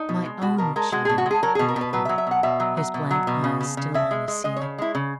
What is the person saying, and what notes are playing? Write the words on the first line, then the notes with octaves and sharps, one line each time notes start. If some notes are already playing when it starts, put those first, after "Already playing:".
"My own showing?" he echoed, his blank eyes still on the sea.
Already playing: D#4
B2
G#3
B2 F#4
B2 A#4
G#3 A#4
G#3 F#4
G#4
B2
F#4
G#3 G#4
F#3 A#4
G#4
B2
A#4
B2 B4
F#3 B4
E5
F#3
E5
B2 F#5
B2 E5
F#3
F#3
B2
F#3
B2
C#3
C#3
C#3
C#3 E5
G#3
G#3
G#3 D#5
C#5
C#3
G#3 E4
C#3